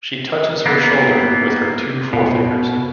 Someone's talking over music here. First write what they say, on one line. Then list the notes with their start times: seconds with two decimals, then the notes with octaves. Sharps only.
She touches her shoulder with her two forefingers.
0.66 A#3 B3
2.13 B2